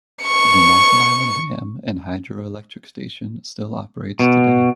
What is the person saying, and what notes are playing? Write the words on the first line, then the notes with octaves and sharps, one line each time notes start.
The Mountain Island Dam and Hydroelectric Station still operates today.
C#6 C#7
B2